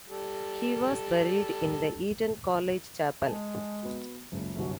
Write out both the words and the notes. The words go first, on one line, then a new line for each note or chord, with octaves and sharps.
He was buried in the Eton College chapel.
G3 A4
G#3 G#5 A5
B3 F#4
F#1 C#2
G1 C2 F#2 F#4